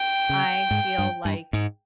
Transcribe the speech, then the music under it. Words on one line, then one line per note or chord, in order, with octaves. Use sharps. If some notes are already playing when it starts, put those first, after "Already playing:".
I feel like
Already playing: G5
C#3
G#2
G2
G2
G#2